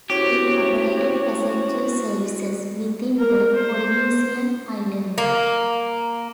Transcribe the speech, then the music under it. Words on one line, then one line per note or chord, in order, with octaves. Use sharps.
It operated passenger services within the Polynesian islands.
C#4 E4 F#4 G4 C5 C#5
A#4
C5
A#3